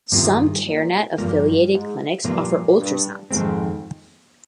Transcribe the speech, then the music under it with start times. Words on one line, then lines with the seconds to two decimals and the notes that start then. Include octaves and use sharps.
Some Care Net affiliated clinics offer ultrasounds.
0.11 G2 C3 D#3 A#3 F4 G#4
0.65 A#2
1.18 G2 A#2 F3 A#3
1.71 G#2
2.24 G2 A#2 F3 A#3 F4
2.77 G2
3.30 F2 G#2 D#3 G#3 C4